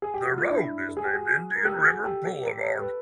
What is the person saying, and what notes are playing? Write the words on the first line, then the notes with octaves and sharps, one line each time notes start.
The road is named Indian River Boulevard.
G#4
G4
F#4
F4
D4 E4
A4
G#4
G4
F#4 G#4
A#4
G4 A4
F#4 G#4
G4 A4
A4 B4